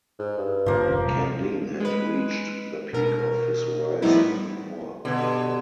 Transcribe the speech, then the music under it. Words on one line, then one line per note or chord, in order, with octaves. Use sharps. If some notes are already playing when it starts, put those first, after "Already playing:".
Ken Ling had reached the peak of his rise to power.
G#2
G2
G#2 D3 F3 A#3 C#4
F1 E2 C#4
C3 G3 G#3
G#3 B4
B2 A#4
A2 F3 G3 B3 D#4 E4
G2 B2 D3